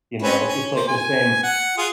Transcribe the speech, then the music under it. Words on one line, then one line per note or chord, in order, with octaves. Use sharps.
you know? It's it's like the same
C4 C#4 B4
C#4
A#3 C5
G#5
F#5
F4 G#4